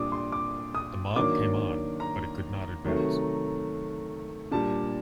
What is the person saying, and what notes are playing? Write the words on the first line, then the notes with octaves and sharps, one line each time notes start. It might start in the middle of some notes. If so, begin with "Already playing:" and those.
The mob came on, but it could not advance.
Already playing: A#2 G3 D4 D6 D#6
C6
D6
D#6
D#3 F#3 A#3 D4 D6
A#5
C3 D#3 F#3 A3
A#2 G3 D4 A5